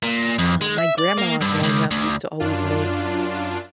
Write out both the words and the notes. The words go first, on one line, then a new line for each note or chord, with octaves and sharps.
uh, my grandma growing up used to always make
A#2
F2
G#3
E5
D5
A#3
G2
C#2
D2
F#2 D4 F4